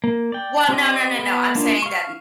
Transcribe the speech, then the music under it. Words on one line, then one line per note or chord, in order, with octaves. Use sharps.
well, no, no, no, no, I'm saying that
A#3
D5 G5
C4 G4 D5 D#5
B3
A#3 D4 D#4 F4
F5 C#6